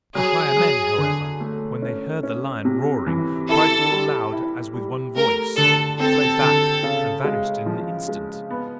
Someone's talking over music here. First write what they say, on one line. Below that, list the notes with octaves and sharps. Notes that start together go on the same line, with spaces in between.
The higher men, however, when they heard the lion roaring, cried all aloud as with one voice, fled back and vanished in an instant.
F#3 G#4
F#3
D3
A3
C#4
C#4
C3
E3
E4 A4
G3
E4
G3
A3 A#4
D3 A4
C4 A4
D3
C#3
G#3
F3
G#3
B3